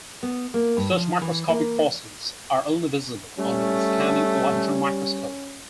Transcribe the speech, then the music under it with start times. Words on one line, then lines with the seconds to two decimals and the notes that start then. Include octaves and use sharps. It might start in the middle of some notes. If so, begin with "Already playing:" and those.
Such microscopic fossils are only visible under the scanning electron microscope.
0.23 B3
0.54 A#3
0.77 G2
0.91 F3
1.21 E3
1.49 A#3
3.38 G3 A3 C#4